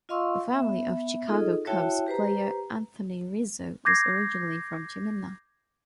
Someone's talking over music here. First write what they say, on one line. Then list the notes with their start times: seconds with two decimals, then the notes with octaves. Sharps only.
The family of Chicago Cubs player Anthony Rizzo was originally from Ciminna.
0.09 F4 D#5 F5 C6 C#6 E6
0.52 B3 E5
1.28 D#4 F4 G#4 A4 D#5
1.67 E4 F#4 C#5 E5 G5 A5
2.06 G4 B4 C5 A#5
3.85 D6 G6 G#6 A#6 C7